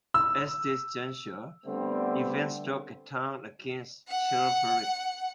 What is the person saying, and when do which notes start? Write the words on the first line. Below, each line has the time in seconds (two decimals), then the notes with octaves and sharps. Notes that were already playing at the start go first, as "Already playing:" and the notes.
At this juncture, events took a turn against Chilperic.
0.14 E6
1.66 D3 G3 A3 B3 C4
4.09 F#5